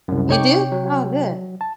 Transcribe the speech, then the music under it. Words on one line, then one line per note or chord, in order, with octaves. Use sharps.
You do? Oh, good.
C2 F#2
C3 D#4 C#5 G5 C#6 D6
F#3
A5